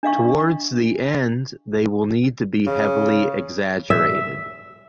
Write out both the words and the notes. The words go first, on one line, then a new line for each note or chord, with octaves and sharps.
Towards the end, they will need to be heavily exaggerated.
D4 D#5 F5 C#6
C#3
E5